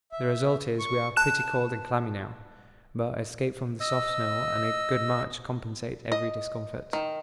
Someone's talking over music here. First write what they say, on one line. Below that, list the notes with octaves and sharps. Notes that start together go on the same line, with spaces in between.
The result is we are pretty cold and clammy now, but escape from the soft snow and a good march compensate every discomfort.
E5
C#6
A5 F#6 E7
D#5 E6
D#5
D#3